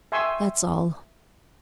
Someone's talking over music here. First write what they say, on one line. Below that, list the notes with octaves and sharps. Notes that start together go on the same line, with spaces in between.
That's all.
E5 G5 G#5 C6 C#6 E6